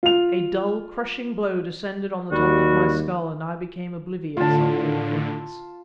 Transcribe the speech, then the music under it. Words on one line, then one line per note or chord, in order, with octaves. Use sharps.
A dull, crushing blow descended on the top of my skull, and I became oblivious of all things.
F4 F7
D#2 G3 F#4
A2 D3 F4 A5